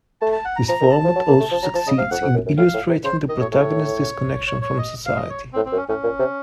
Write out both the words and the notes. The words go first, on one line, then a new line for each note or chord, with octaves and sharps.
This format also succeeds in illustrating the protagonist's disconnection from society.
A3 A5
A5
F#5
A#5
F3 A#5
D#3
A5
F3
F#3
A#3
A3
F3
F#3 A#5
F3 A5
C#3 D#5
C3 F5
F2 F#5
F2
F#2
F#2
A2 F5
A2
C3
C#3 C5
D#3 D#5
A2 C#5
A2 C#5
C#5
C#5
D#5
F5
D#5
C#5
C4
A2
C4
F#2
C#4
A2 C#4
A#2
C3